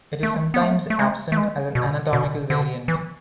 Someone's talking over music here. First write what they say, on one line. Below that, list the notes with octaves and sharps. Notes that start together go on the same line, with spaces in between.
It is sometimes absent, as an anatomical variant.
A3
B3
A3
A3
G#3
A3
G#3
B2
B2
D3
E3